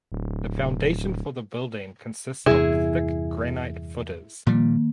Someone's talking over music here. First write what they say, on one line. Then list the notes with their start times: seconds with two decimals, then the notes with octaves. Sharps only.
The foundation for the building consists of thick granite footers.
0.12 D1
2.46 E2 G2 C3 E4 G#4
4.47 A#2 D#3 F3 G3 A#3